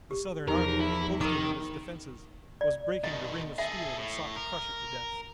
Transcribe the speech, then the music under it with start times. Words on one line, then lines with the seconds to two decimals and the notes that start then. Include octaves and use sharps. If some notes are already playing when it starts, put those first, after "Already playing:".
The Southern army, posted in its defenses, was breaking the ring of steel that sought to crush it to death.
0.11 G4
0.48 E2 F3 D#4 G4 A#4
0.80 E4
1.21 D#3 A#4 A#5 D6
2.61 D5
3.04 B2 D#3 D#5
3.58 G#4 A4 E5
3.97 A2
4.36 A#4